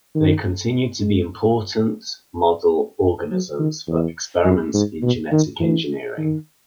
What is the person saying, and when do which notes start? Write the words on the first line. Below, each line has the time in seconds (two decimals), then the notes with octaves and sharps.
They continue to be important model organisms for experiments in genetic engineering.
0.15 D#3
1.01 G#3
3.31 F#3
3.59 D#3
3.88 E2
4.45 F#2
4.74 G#2
5.02 B2
5.32 D#3
5.60 E3
6.18 D#3